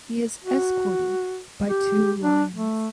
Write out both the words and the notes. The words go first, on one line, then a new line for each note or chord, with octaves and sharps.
He is escorted by two lions.
F#4
G4
D4
A3